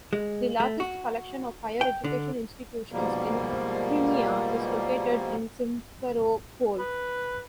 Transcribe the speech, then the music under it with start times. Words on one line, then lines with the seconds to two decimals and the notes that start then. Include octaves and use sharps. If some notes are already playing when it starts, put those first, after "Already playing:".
The largest collection of higher education institutions in Crimea is located in Simferopol.
0.13 G#3
0.60 A3
0.80 F#4
1.81 G5
2.04 D3
2.92 G#2 B2 F3 G3 A#3
6.79 B4